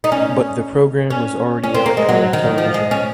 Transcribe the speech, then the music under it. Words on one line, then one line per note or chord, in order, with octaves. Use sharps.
But the program was already electronic television.
D#4
C#4
C#4
C#4
C4
A#3
G#3
F#3
D#3
F3
G#3
C#4